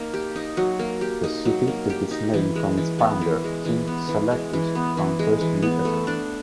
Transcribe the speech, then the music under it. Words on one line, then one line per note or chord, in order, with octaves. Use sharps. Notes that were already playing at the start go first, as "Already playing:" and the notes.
The city took its name from its founder, King Seleucus the First Nicator.
Already playing: A#3 D#4
G4
D#4
F#3
A#3
G4
D#4
F#3
A#3
G4
D#4
E3
G#3
E3
B3
E3
G#3
E3
B3
E3
G#3
E3
B3
E3
G#3
E3
B3
A3
D4